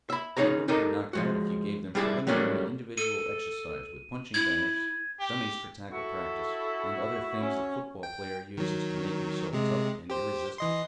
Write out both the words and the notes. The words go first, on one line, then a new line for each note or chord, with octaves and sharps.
"They wouldn't be knocked out if you gave them preliminary individual exercise with punching-bags, dummies for tackle practice, and other things the football player uses to make himself tough and irresistible."
E5 B5
C#4 D#4 G#4 C#5 A#5
D#4 G4 A4 A#4 D#5
F3 G#3 F#4
G3 D4 E4 G4 G#4 E5
F#3 G3 A3 A#3 C#4 D4
A4 D#7
E4 G#6
G4
E4 F#4 A4 C#6
C#4
G5
D#3 F#3
C3 G#3
G4 C5
E3 D#5 C6